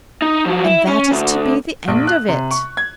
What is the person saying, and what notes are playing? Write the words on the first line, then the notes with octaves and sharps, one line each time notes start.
"And that is to be the end of it."
D#4
F3 F#3
E4
C#4
D2
A#1
F#6
C3
C#6
G#6